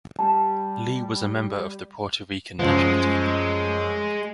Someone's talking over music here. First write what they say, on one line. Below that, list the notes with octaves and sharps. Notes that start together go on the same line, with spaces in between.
Lee was a member of the Puerto Rican national team.
G3 A5
F#2 F3 G#3